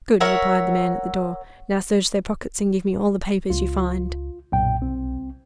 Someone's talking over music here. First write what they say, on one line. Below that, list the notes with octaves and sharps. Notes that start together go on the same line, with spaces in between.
"Good!" replied the man at the door; "now search their pockets and give me all the papers you find."
A#4 C#5 E5 F#5
C#2 F4
B1 F#2 A#2 G5
C2 C4